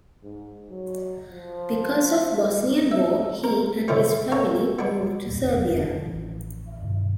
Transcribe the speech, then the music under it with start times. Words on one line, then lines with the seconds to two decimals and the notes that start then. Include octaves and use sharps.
Because of the Bosnian War he and his family moved to Serbia.
0.24 G#2
0.70 F#3
1.29 F3
2.91 E5
3.44 A#4
3.88 A2 C3 D#3 F3 A3 C#4
4.32 A4 C#5 F5 G#5
4.79 B3 D4
5.27 D#2 A#2 G3
5.41 F1 C2 F#2 D3
6.05 A1 E3 F3 C#4
6.82 G2 B2 D#3